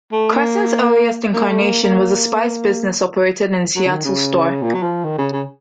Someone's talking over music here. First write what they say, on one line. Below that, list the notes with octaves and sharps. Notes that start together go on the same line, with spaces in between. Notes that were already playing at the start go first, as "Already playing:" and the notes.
Crescent's earliest incarnation was a spice business operated in a Seattle store.
A3
A#3
A#3
A3
A#3
A#3
F#3
C#3
D#3
C#3
A#2
F#3
F3
D#3
C#3
C#3